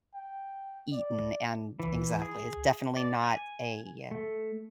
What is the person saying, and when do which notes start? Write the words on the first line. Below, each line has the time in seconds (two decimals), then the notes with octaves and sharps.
eaten and exactly, it's definitely not a, uh,
0.14 G5
0.93 D5
1.80 E3
2.22 G#4
2.97 D5
3.24 G#5
4.11 A3